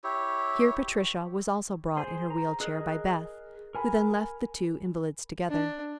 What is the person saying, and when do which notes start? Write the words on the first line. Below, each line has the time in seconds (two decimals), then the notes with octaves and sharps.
Here Patricia was also brought in her wheel chair by Beth, who then left the two invalids together.
0.04 E4 G4 C#5
1.97 G#4 C5 C6
2.30 A#5
2.60 G#4 A#4 D#5 F#6
3.75 A#4 G#5 B5
5.49 D4